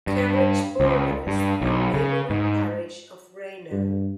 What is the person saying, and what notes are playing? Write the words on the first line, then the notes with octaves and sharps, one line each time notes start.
Kerridge borders the neighbouring parish of Rainow.
G2
C#2
G2
B1
C#3
G#2
G2